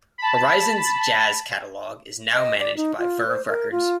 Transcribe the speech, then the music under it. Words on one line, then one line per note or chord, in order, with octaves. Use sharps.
Horizon's jazz catalogue is now managed by Verve Records.
A5 B5
D#5
D5
D#4
F4
C5
A#4
F4